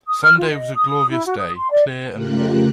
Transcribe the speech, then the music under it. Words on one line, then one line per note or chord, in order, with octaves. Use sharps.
Sunday was a glorious day, clear and warm.
D#6
F6
F4
D#5
D#6
E4
F#4
D#6
C6
D5
C#3 A3 F4 G4 A#4 F#6